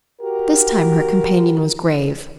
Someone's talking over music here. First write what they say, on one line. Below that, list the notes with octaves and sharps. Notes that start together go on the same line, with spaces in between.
This time her companion was grave.
F#4 G4 A#4